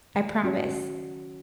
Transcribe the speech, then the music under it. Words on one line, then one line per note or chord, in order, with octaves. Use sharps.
I promise.
D#3
F#3 C#4 F#4
D#3